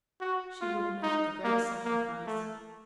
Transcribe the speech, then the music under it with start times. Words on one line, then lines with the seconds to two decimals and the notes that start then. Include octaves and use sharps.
She would make the great sacrifice.
0.21 F#4
0.61 F4
1.03 D#4
1.44 A#3
1.85 A#3
2.26 A3